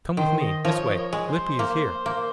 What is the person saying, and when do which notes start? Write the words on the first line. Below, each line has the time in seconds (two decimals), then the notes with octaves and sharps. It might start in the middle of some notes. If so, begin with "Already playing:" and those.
"Come with me--this way--Lippy is here!"
0.17 D#3 C5
0.41 D#5
0.65 F3 A#4 C#5
0.90 D#5
0.97 A#4 C#5
1.13 G#3
1.27 C5
1.59 A#3
2.06 A#3